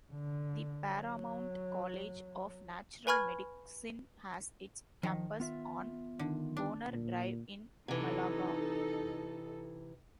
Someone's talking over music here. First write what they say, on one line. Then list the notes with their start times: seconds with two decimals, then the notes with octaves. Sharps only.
The Paramount College of Natural Medicine has its campus on Bonner Drive in Malaga.
0.11 D3
0.87 F#3
3.07 B4 G#5 B5 C#6 F6 G#6
5.03 D#3 F3
5.40 B3 F4 E5
6.19 D3 D#3
6.57 D4
6.88 A#2
7.88 C3 E3 D#4 A4